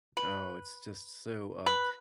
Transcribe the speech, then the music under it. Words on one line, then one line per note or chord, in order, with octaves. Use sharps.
Oh, it's just so, um
B4
B4